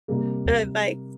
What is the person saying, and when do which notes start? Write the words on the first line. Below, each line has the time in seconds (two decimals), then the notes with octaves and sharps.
Alright. Bye.
0.08 C3 G3 A#3